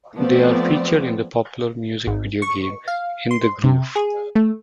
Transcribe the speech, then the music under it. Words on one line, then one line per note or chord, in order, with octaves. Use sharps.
They are featured in the popular music video game "In the Groove".
F3 A3 B3 C4 D5
G#1
C#6
F5
C6
C3
G#4
A3